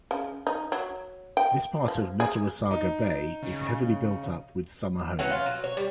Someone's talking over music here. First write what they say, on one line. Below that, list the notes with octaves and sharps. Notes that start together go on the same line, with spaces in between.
This part of Nottawasaga Bay is heavily built up with summer homes.
C#3
D#4
F#3
G5
F3
G#4
D#4
C#3
E3 F#3 C#4 F#5
F4
F#3
C#5
G3